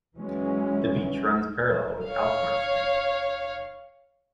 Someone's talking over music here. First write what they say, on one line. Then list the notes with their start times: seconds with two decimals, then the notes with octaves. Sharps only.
The beach runs parallel with Alcorn Street.
0.16 E3 F#3 G#3 C#4
2.08 C#5 F5